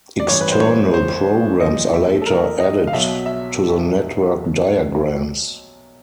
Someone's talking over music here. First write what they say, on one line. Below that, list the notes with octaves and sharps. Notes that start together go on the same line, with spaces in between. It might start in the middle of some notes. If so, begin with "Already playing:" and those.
External programs are later added to the network diagrams.
D5
A1 G2 E3 C#5
B4
C5
C#5
C5
B1 A#2 F3 D#5
E5
A4
A#4
D#5
F5
B1 B2 F#3 E5
E5